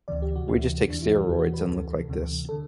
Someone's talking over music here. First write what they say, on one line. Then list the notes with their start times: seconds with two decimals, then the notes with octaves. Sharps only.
We just take steroids and look like this.
0.08 D2 C3 E3 D5
0.22 G4
0.36 F#4
0.48 D2 C3 E3 E4
0.88 E2 C3 E3 D4
1.03 E4
1.15 F#4
1.29 E2 C3 E3 G4
1.39 F#4
1.54 B4
1.60 A4
1.68 D2 C3 E3
2.09 D2 C3 E3
2.49 D3 A4